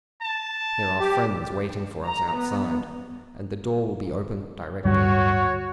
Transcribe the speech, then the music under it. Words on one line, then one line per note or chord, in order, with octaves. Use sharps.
There are friends waiting for us outside, and the door will be open directly.
A5
G4
A#5
B3
D1 G2 G3 F#4 C#5